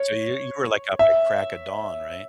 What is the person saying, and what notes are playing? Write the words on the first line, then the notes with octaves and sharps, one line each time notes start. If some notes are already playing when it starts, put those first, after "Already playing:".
So, you you were like up at the crack of dawn, right?
Already playing: C#5
E5